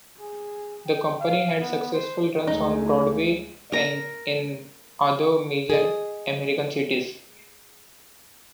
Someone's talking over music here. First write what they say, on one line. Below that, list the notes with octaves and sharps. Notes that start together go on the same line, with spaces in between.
The company had successful runs on Broadway and in other major American cities.
G#4
G5
F5
B3
C5
D2 G#3 A3 D#4
A#4 A#5
G#4 D#5